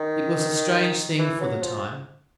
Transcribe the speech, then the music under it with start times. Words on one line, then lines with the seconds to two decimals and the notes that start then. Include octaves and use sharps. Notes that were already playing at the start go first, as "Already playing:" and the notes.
It was a strange thing for the time.
Already playing: D#3
1.19 E3
1.41 F#3
1.62 F3